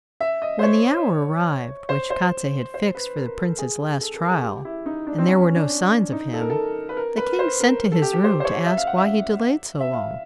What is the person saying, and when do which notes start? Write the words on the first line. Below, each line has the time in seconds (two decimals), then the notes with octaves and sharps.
When the hour arrived which Kostiei had fixed for the prince's last trial, and there were no signs of him, the king sent to his room to ask why he delayed so long.
0.21 E5
0.42 D#5
0.59 C5
0.63 C#5
1.89 C5
2.10 C5
2.74 C5
2.95 B4
3.16 A#4
3.38 A4
3.58 G#4
4.01 A4
4.15 A#4
4.30 G#4
4.43 G4
4.65 E4
4.86 D#4
5.07 D4
5.18 C4
5.27 C#4
5.56 D4
6.12 D#4
6.33 A4
6.41 A#4
6.50 A4
6.89 B4
6.97 A#4
7.17 B4
7.39 C5
7.60 A#4
7.92 A4
8.02 G4
8.13 G4
8.24 C5
8.40 C5
8.45 C#5
8.66 E5
8.77 F5
8.87 F#5
8.98 E5
9.80 E5
9.93 F5